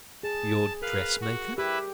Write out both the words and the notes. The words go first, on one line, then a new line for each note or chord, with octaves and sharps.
"Your dressmaker?"
G#4 A5
A#4 B4 F5
F#4
E4 G4 B4 E5